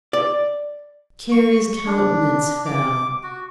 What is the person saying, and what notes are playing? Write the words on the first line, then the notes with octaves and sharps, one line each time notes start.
Carrie's countenance fell.
D5
C#6
D4
D6
F#4